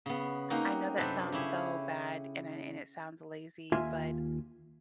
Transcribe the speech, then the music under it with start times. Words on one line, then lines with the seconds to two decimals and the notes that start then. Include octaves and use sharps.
I know that sounds so bad, and it and it sounds lazy, but,
0.06 C#3 B3
0.50 A#3 C4 C#4 D#4 F#4
0.98 F#2 C3 D4 A4 B4 C5
1.32 C#3 C#4 E4 G4
3.72 D#2 F4 E5 G#5